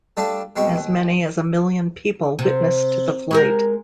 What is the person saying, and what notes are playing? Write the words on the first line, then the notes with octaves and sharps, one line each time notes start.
As many as a million people witnessed the flight.
G3 A3 D4 F4 G4 A4
B2 G3 G#3 C4 C#6
D#2
C3
G#3 G4 A#4